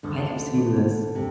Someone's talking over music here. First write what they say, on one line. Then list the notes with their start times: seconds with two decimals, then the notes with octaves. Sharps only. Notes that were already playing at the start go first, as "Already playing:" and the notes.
I have seen this.
0.03 D2 D3
1.15 C3